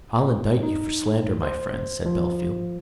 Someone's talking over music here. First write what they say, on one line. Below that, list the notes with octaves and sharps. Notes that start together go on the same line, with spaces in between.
"I'll indict you for slander, my friend," said Bellfield.
D#4
C5
F3